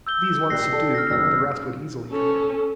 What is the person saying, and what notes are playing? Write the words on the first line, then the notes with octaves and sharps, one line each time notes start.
These once subdued, the rest would easily come in.
E6 G6 G7
A#1 G4 F#6 A#6 C7
G4 A4 D5
F6 A#6
F#1 B2 D#3 E6 A#6
C#4 A4